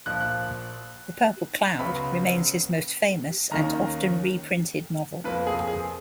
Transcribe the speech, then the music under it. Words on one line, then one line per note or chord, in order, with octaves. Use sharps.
"The Purple Cloud" remains his most famous and often reprinted novel.
A#1 A#2 F3 F#6
F#6
C#2 C#3 F#3 B3 B5
D#2 D#3 A#3 C#4 A#5
F2 F3 A#3 B4
G#4
G#4